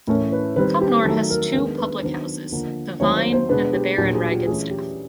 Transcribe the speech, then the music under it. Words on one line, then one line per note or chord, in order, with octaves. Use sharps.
Cumnor has two public houses, the Vine and the Bear and Ragged Staff.
A2 E3 A3 C#4 A#4
B4
D#3 G3 C4 B4
G4
D#3 F#3 A3 A4
A#4
D#3 G#3 B3 D4 A#4
B4
D#3 F#3 B3 D4 C5
D3 F3 A#3
D#3 F#3 A3 C4 C#5
C5
C5
B2 G#3 B3 D4 B4
G4
A#2 F#3 A#3 D4 G4
G#4
G4
E3 A3 C#4 G#4
G4